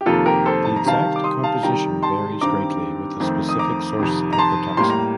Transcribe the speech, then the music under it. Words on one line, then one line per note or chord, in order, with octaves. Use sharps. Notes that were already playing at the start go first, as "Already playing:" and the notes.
The exact composition varies greatly with the specific source of the toxin.
G4
F2 C3 D#3 A#3 F4 A4
G4 A#4
A4 C5
A5
A#5
C3 D#3 G3 F5 A5
D6
C6 D#6
F5 A5
C3 D#3 G3 G5 A#5
A5 C6
G2 D#3 G3 C4 A#5 D6
F2 D#3 A3 C4
D#6
A#5 D6
F2 C3 D#3
A#5
A5 C6
A2 G3 A#3 C6
A#5